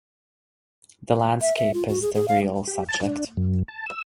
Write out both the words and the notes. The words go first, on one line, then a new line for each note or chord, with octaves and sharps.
The landscape is the real subject.
E5
E5
F4
F#4
G#4
G#4
F5
G4
A5
D4
F#2
A5
E6